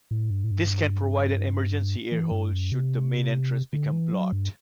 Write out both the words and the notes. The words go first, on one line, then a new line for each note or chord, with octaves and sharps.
This can provide an emergency air hole should the main entrance become blocked.
A2
G2
A2
G2
E3
G2
F#2
C3
D3
E3
F#3
G2